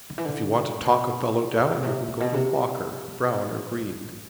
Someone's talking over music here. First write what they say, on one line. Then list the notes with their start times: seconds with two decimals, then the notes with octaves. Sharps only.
If you want to talk a fellow down you can go to Walker, Brown, or Green.
0.10 D3
0.18 E3
0.25 D3
0.81 C3
0.85 B2
1.59 C3
1.71 B2
1.83 C3
2.08 A2
2.20 B2
2.34 C3
3.08 D3
3.82 E3
4.08 E3